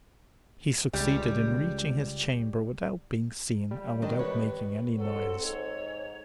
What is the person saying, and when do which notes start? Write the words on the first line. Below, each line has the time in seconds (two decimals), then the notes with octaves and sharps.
He succeeded in reaching his chamber without being seen and without making any noise.
0.93 C#2 G3
3.71 G3
4.02 D#3 D4 D#5
4.19 B4 C#5
4.97 C#2 F#3 C4 A4
5.42 G#2 C#5